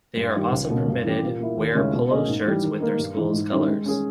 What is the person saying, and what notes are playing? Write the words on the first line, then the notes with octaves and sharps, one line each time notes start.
They are also permitted wear polo shirts with their schools' colors.
G2
D#3 G3
C#2
B2 A#3 C#4
G2
E3 G3 C#4 G4
A#2
A#3 E4
D#2
C#3 G#3 C#4 E4
B2
A#3 C#4 G#4 D#5
G#2
E3 G3
D#3
A#3 D#4
G2
E3 G#3
G#2
D#3 G3 C#4 E4
G#3
C#4 G#4